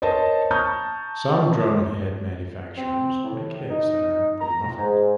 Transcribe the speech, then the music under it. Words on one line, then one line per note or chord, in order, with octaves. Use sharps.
Some drumhead manufacturers make heads that are pre-muffled.
A#4 C5 C#5 D#5 A5
A5 A#5 C#6 D#6 F6 G6
C4
A2
D#4
A#5
G#2